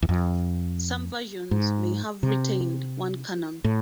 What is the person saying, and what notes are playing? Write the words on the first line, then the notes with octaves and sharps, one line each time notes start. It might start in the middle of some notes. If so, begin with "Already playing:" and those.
Some versions may have retained one cannon.
E2
F2
G#2
C3
A2